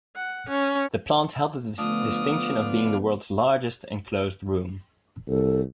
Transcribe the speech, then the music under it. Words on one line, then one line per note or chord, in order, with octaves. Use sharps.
The plant held the distinction of being the world's largest enclosed room.
F#5
C#4
D3 F3 A3 B3 D4 F4 D#6
C2 A4